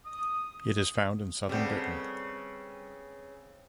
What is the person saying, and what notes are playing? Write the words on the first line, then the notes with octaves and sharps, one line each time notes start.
It is found in southern Britain.
D#6
C#3 G3 B3 C4 A4 G6